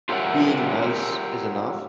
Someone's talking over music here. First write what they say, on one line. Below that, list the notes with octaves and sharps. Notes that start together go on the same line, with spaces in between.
being nice is enough?
F4 G4 A#4 C#5 E5 F#5